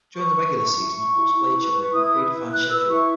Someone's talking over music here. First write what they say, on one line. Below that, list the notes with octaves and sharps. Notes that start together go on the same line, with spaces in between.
During the regular season, clubs play each other in a predefined schedule.
B4 C#6
B4
E4
E4
E4
E4
E4
B4
B4
C#6
E4 D#6
B4
E4
B4 F#6
B4 E6
E4 C#6